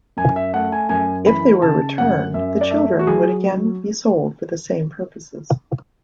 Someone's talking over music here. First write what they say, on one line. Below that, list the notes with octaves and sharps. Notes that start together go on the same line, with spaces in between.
If they were returned, the children would again be sold for the same purposes.
F#2 G#5
E5
A3 F#5
G#5
F#2 G#5
E3 B5
C#3 A5
F#2 F#5
F#2 E5
D5
A3 E5
F#4
F#3 G#4